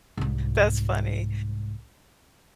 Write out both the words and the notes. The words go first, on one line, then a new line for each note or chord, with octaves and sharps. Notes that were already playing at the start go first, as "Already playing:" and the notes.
that's funny,
C2 G#2